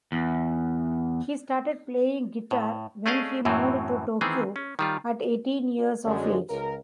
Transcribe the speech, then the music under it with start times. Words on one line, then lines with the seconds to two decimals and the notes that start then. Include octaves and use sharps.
He started playing guitar when he moved to Tokyo at eighteen years of age.
0.12 E2
2.51 A2
3.06 A3 C#4 G#4 D5 D#5 F5
3.45 F#2 A2 E3 F#3 C4
4.21 D#3 E3 B3 C4 G#4
4.56 C#4
4.79 D#3 G3 F4
6.05 F#2 D3 G#3
6.50 C#2 A#4